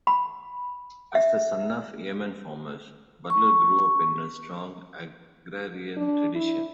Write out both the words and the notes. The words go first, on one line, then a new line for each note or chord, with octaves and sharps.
As the son of yeoman farmers, Butler grew up in a strong agrarian tradition.
B5
E5
C#6
D4
E4